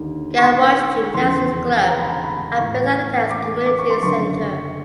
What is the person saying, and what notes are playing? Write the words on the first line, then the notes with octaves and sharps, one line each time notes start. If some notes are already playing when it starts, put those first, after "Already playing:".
Garioch Gymnastics Club are based at the towns Community Centre.
Already playing: D#2 D3
C#6
C6
F1 E2 C#3 E3 C6
A#5
B5
A#5
B5
A#5
A1 A2 E3 C#6
D6
D6
C#6
C6
F#1 F#2 D3 C#6